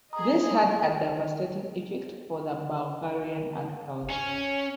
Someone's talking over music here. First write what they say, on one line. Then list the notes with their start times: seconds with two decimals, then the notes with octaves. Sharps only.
This had a devastating effect for the Bulgarian agriculture.
0.13 G#4 D#5 A#5 D#6
4.11 C#4